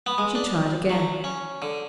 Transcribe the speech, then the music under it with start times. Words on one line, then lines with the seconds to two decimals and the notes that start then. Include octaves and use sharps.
She tried again.
0.06 B3
0.18 G#3
0.35 D4
0.90 F#3
1.24 C#4
1.62 D3